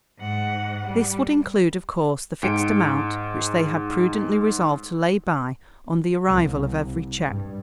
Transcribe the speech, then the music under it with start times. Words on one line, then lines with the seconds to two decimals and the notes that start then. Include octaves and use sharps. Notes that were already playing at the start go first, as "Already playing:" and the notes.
This would include, of course, the fixed amount which they had prudently resolved to lay by on the arrival of every cheque.
0.19 G#2 F#5
0.87 G3
2.43 G#2 G5 C#7 D7
6.27 C2
7.24 G2